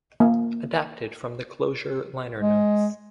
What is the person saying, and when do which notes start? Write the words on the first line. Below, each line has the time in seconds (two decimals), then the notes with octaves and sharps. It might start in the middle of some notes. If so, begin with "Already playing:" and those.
Adapted from the "Closure" liner notes.
0.20 A#3
2.39 G#3